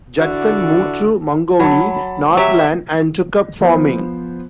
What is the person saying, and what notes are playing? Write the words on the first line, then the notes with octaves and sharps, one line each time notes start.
Judson moved to Mangonui, Northland and took up farming.
D3 D4 E4 F#4 A4 D5
F#3 C#5 A5 B5
F#3 G4 C#5 E5
F3 B3 C5